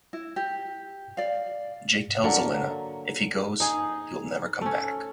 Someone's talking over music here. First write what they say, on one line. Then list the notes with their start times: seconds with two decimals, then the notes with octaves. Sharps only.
Jake tells Elena if he goes he will never come back.
0.13 E4
0.36 G4
1.17 D5 F5
2.24 D3 F#3 A#3
3.60 D#4 G#4
4.61 A3 C#4